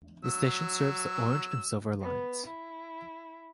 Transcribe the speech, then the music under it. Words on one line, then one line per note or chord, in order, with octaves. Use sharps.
The station serves the Orange and Silver Lines.
F#3 E6
B3
E4